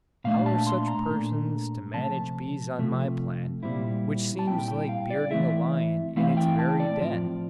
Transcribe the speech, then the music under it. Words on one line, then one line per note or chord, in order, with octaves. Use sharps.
How are such persons to manage bees on my plan, which seems like bearding a lion in its very den!
A#2 A3 D4 F5
A5
C6
A#5
A#2 A3 D4
C3 F3 A3 A5
C3 F3 A3
A#2 G3 C4 E4
A5
A#2 G3 C4 E4 G5
G5
F5
D5
E3 A3 C4 E4 E5
E3 A3 C4 E4 F5
G5
A5
D5
A2 F3 C4 F4